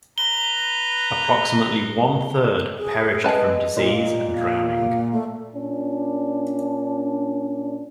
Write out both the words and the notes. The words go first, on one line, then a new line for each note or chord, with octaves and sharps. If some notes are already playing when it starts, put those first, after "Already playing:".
Approximately one-third perished from disease and drowning.
B4 A#5 G7
G#4
G#3 B4 D#5 A5
A#2
F5
A3
A#2 C#4 D4